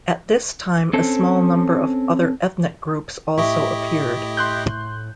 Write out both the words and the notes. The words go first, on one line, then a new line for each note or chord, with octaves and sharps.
At this time a small number of other ethnic groups also appeared.
C4 C#4 A4
A2 E4 G4 D#5 E5 C#6
C6 F#6 G6